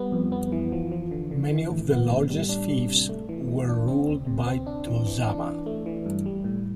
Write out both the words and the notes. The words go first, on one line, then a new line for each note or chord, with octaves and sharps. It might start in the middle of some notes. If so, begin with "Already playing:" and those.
Many of the largest fiefs were ruled by "tozama".
Already playing: G3 B3
F2
B3
E3
F3
F3
D3
D3
E3
A2
B3
A2
G3
D4
G3
C3
A3
E3
E3
D4
C4
D2
C3
C4
D4
E3
E3
D4
E3
A3
E3
G2
G3
A2